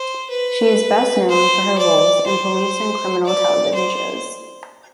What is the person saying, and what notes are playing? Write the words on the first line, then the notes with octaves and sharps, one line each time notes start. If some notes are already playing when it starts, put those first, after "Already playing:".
She is best known for her roles in police and criminal television shows.
Already playing: C5
B4
C5
D5
C5
D5
C5